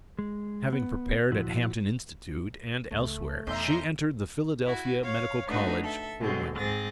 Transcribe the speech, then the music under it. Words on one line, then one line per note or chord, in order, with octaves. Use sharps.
Having prepared at Hampton Institute and elsewhere, she entered the Philadelphia Medical College for Women.
G#3
B3
A#2 F3 E4 F#4
C#2 A3
B1 E2 E5 A#5 C6 G6
E4 F#4
C#5 F5
A3 D4 D#4 F#4 B4
A4 E5
B2 D3 F#3 G#3 C4
G#2 C4 G#4 A6 A#6